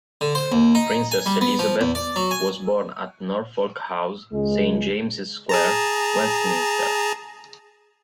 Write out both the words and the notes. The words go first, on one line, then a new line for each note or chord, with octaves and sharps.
Princess Elizabeth was born at Norfolk House, Saint James's Square, Westminster.
D3
C5
D#2
D#4
G#5
G3
B3
F3
E2
D5
F#3
G#5
C#2 G#3
G#4 A5 A#5